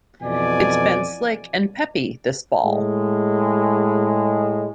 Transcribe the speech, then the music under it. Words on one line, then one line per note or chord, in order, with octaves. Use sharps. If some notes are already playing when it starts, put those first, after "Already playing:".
It's been slick and peppy this fall.
F2 B2 E3 D5 G#5
A2 G#3